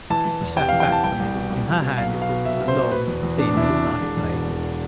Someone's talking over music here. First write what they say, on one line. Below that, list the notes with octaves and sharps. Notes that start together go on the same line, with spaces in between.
She sat back from me; in her hand was a long thin knife blade.
E3 A5
E3
E2
C3 G5
F5
E3
G5
E3 A5
C2 G5
C2
B2
C2
C2
B2
B1 F5
B2
F5
B2
B1 E5
B2
C5
B2
B2 B4
E2
E2
B2 D4
E2 E4
D4
B2
E1
E1
E2
B2
E1